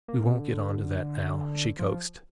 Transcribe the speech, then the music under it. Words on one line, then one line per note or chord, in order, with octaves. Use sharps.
"We won't get on to that now!" she coaxed.
A#3
C3
D3
F3